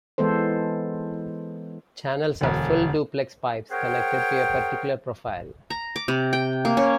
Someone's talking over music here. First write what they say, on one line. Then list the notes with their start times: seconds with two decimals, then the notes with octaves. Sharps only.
Channels are full-duplex pipes connected to a particular profile.
0.18 E3 G#3 B3 A4 C5
2.41 E1 D2
3.71 G#4 A#4 C5 C#5 F#5 G5
5.70 A#5
5.96 D6
6.08 C3
6.33 G5
6.65 A#3
6.77 C#4